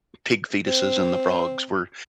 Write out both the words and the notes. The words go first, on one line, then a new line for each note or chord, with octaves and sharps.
p pig fetuses and the frogs were
C4